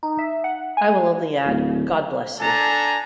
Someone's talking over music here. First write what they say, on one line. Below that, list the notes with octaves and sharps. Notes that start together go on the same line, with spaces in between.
I will only add, God bless you.
D#4
E5
F#5
G#5
D1
D4 A4 G#5 A#5